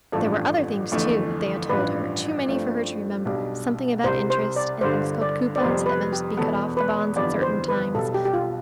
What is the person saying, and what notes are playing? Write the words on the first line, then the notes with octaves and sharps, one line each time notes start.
There were other things, too, that they had told her--too many for her to remember--something about interest, and things called coupons that must be cut off the bonds at certain times.
A1 G2 F3 A3 A4
G1 F2 E3 A3
A1 G2 F3 B4
G2 F3 A3 C4
B1 B2 G3 D4
C2 C3 G3 C5
C5
D5
G1 G2 D3 G3 C5
D5
D5
F2 C3 G3 B3 C5
B4
G4
E2 B2 B3 A4
B4
G1 F2 E3 G3 B3 D5
C5
B4
B1 B2 G3 A4
G4
G4
F4